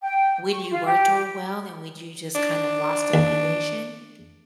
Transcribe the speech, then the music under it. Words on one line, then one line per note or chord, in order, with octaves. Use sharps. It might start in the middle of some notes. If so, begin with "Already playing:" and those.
when you were doing well and when you just kind of lost the motivation?
G5
C#6
F4
G4
D4
D#2